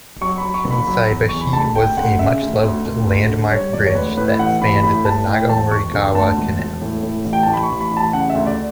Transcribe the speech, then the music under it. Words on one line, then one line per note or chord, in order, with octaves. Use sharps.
Shinsaibashi was a much loved, landmark bridge that spanned the Nagahori-gawa canal.
F#3 C#6
B5
F#3
C#6
F#1
B5
F#3
E2
E2 C#6
B5
D2 A5
D2 G5
D2 F#5
C#3 E5
D2
D2
D2
D2
D3
G3 C#5
E1 D5
C#5
D2 B4
A2 B4
A1 F#5
A1 B5
A2 B5
A2 A5
A2 G5
E1 A5
E1 C#6
D3
D2 A5
E1
E1
A2
A2
A1
G5
A1 A5
B5
C#6
A1
B5
A1
A5
C#3 F#5
E5
D2
D5